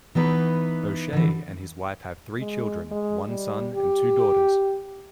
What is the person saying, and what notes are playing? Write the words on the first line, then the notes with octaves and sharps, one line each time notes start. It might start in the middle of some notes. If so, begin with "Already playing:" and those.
O'Shea and his wife have three children, one son, and two daughters.
E3 B3 D#4 B4
D3 E3
G#3
G#3
G3
G4